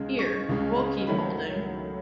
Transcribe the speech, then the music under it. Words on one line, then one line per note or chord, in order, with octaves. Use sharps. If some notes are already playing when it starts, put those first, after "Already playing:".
Here, we’ll keep holding.
Already playing: C#2 C#3 G#3
C#6
C#2 C#3 G#3
D#3 F#3 A3 B5